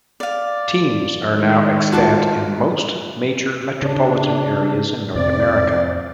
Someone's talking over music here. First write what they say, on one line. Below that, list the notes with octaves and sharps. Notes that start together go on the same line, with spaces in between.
Teams are now extant in most major metropolitan areas in North America.
D5 F5
D#3 G#3
F4 F#4 A5 D6
C#3 D4
F2 C3 C4 D5